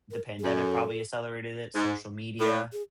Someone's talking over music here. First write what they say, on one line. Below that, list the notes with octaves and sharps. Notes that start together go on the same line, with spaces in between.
the pandemic probably accelerated it, social media,
A#4
G#4
F#2 A4
G#2
A2 A4
G#4